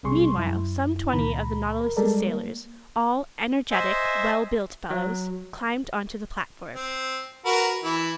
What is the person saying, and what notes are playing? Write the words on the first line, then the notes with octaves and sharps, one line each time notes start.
Meanwhile some twenty of the Nautilus's sailors--all energetic, well-built fellows--climbed onto the platform.
B1 C3 G3 G#4 C6 C#6
F#2 E4
C#2 A#2 D#3 A#5 B5
A#4
G3 G#3 A4 A#4 D5
A#3
C5 D#5 E5 G#5
F#3
C4
F#4 A#4 B4
E3 E4